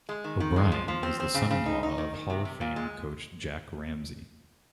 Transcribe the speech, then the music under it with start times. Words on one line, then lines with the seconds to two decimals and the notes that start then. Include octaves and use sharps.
O'Brien is the son-in-law of Hall of Fame coach Jack Ramsay.
0.09 G#3
0.24 D#3
0.40 D#3
0.56 G#3
0.72 F3
0.88 F3
1.03 C4
1.20 C4
1.34 C#3
1.51 C#3
1.66 D#4
1.83 D#4
1.98 D#3
2.14 D#3
2.30 C3
2.45 C3
2.61 A#2
2.76 G#3